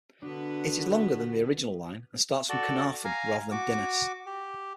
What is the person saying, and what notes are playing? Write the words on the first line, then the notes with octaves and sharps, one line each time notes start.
It is longer than the original line and starts from Caernarfon rather than Dinas.
D3 B3 D4 F#4 B4
F#4 A4 D5
F5 G#5 A#5
F#4 D6
G4